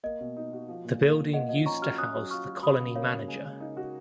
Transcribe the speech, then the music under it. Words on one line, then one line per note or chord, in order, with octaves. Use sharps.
The building used to house the colony manager.
A#3 D#5
B2
D#4
F#4
F3
A#2
A#3
A#2
A#3 D#5 F#5
F3 D#5
C#4 A#5 C#6
F#4 C#6 F6
C#4 D#6 F#6
F#3
F4 C#6 F6
F#3
F#3 B5 D#6
C#3
A#3 C#5 F5
C#3
G#3
C#3
D#4
F#4